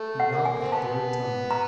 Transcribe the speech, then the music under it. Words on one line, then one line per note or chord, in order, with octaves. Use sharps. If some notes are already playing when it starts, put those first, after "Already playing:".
He knocked a third time.
Already playing: A3
F#5
A#3
G#5
C4
B3 A5
A#5